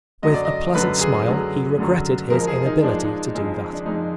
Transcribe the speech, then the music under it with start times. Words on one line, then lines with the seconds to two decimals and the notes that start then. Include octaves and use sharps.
With a pleasant smile he regretted his inability to do that.
0.23 F#2 D3 F#3 D#5
0.34 D5
0.45 D#5
0.75 F#2 D3 F#3 B4
1.01 G#4
1.26 F#2 D3 F#3
1.78 F#2 D3 F#3
2.30 F2 F3 G#3 A#4
2.47 G#4
2.66 D#4
2.83 F2 F3 G#3 D4
3.34 F2 F3 G#3
3.73 D4
3.86 F2 F3 G#3 D#4